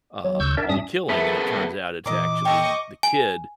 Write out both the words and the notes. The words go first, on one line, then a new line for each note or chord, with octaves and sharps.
um, all the killing, and it turns out it's actually the kid
F#3
D2 C#3 C#6 E6 G6
D4 A#4 D5 E5
G#2 G3 C#4 D4 E5 D#6
A3 B3 G#4 A#4 B4 E5 A5 B6
A#2 E3 A#4 D#5 D6
A4 D#5 G5 C#6
G#5